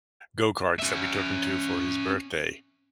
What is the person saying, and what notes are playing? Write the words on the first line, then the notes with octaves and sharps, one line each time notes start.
go-karts that we took him to for his birthday.
C#4 E5